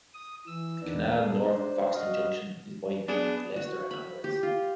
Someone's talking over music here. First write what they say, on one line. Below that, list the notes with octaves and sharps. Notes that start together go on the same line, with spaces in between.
The canal north of Foxton Junction is wide-beam to Leicester and onwards.
D#6
E3 E6
E2 D#3 B3 D4
B3 G#4 A4
D4 C5
F#4 D#5 F5
B3 D4 G#4
F#4
B5
G4
F4